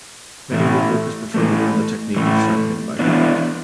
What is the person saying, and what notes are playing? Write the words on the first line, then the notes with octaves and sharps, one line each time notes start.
Many woodworkers prefer to learn the technique of sharpening by hand.
A2 E3 A3
A2 E3 A3
A2 E3 A3
E3 B3 D4